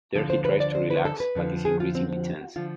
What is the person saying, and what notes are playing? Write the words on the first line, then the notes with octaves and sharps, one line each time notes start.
There he tries to relax but is increasingly tense.
D2 D3 F3 A4
C5
B4
D5
C5
B4
A4
B4
F2 D3 F3
G#4
F4
C4
D3 F3 F4